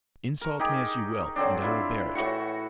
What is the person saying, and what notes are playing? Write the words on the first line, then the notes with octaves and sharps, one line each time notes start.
Insult me as you will, and I will bear it.
A#4 C#6
D#4 G4 G#4
D3 F#3 C4 D4
E4 F4
A2 E3 F#4 C#6